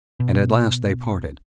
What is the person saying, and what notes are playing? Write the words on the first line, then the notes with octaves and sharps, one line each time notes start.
And at last they parted.
B2